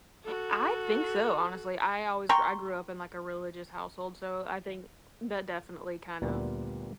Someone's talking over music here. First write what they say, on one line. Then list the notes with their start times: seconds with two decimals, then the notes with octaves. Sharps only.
I think so, honestly. I always grew I grew up in a religious household, so I think that, definitely, kind of,
0.24 F#4 A4
2.29 G5 A#5 C6 C#6
6.22 D2 A#2 G3 B3